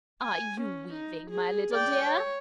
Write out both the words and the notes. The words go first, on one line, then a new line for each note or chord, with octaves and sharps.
'Are you weaving, my little dear?'
G#5
C#4
D#4
G#4
D5 G5
C#5